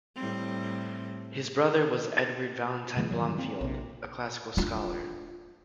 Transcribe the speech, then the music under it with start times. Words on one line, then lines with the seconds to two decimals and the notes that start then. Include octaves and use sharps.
His brother was Edward Valentine Blomfield a classical scholar.
0.16 A2 G3 C4
2.97 C#3 E3 G#3 B3
3.11 G2 D#3 F#3
3.38 C4
3.61 A#1 C3
4.57 D4 F4